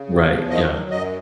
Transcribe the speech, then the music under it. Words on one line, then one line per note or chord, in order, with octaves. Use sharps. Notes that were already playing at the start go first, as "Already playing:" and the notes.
Right, yeah.
Already playing: C#3
E2
F3
D#3 D#5
F#3
F#2 D#5